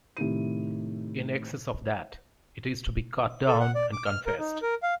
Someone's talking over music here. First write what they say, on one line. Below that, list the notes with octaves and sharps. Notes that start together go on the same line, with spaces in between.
In excess of that, it is to be cut down and confessed.
A2 C3 D#3 D#7
A4
F#5
D5
D6
F6
A#4
D#4
A#4
F5